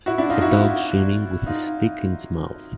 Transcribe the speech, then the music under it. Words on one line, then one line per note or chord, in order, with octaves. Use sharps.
A dog swimming with a stick in its mouth.
E4 F#4
D4 E4
D#4 F4
E4 F#4
E4 F#4
D#4 F4